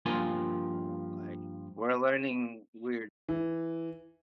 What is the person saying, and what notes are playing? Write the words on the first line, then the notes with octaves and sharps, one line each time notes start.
Right, right. Like, we're learning weird
G2 F3 A#3 F4 G#5 C6
E3